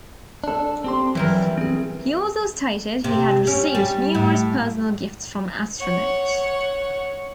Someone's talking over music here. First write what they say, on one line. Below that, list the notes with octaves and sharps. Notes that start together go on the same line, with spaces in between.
He also stated he had received numerous personal gifts from astronauts.
D4 A4
C4 G4 C6
E3 F#3 G3 A#4
C4 G#4
C3
C#4
G3
A2
C#5 F#5